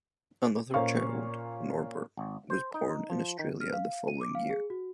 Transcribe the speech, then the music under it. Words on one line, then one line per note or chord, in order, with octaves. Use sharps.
Another child, Norbert, was born in Australia the following year.
A#2 A#3 C#4 C5 F5 C#6
G#1
C5
D#4
F3
D#3
F6
F5
D#7
D6
F5
G#4
F#4